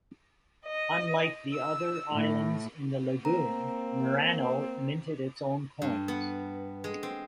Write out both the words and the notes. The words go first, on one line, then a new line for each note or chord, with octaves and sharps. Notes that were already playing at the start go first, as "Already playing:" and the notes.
Unlike the other islands in the Lagoon, Murano minted its own coins.
D#5
E6
A2
A#3 C4 A#5
G2
B3
G#3
C4